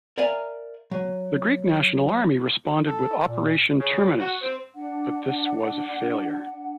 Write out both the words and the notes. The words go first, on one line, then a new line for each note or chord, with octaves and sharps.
The Greek National Army responded with Operation Terminus, but this was a failure.
A#4 D5 E5 F5 G#5 A#5
F#3
A4
A#2
C#3
F#4
C4
D4 F#5